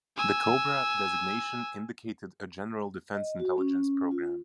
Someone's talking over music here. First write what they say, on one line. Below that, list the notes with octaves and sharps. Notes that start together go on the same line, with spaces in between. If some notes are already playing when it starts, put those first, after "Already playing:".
The "Cobra" designation indicated a General Defense Intelligence Program.
G#5 E6
D#5
F#4
C#4
F4